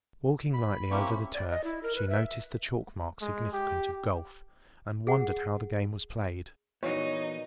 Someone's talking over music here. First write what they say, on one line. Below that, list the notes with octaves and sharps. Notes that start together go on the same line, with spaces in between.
Walking lightly over the turf, she noticed the chalk marks significant of golf, and wondered how the game was played.
B5
A#3 C4 C#4 E4 G4 C#6
D5
D#5
E4
A#4
B4
E5
G#3
G4
G#4 F#5
A#2 E3 B3 D#4 F#4 C#5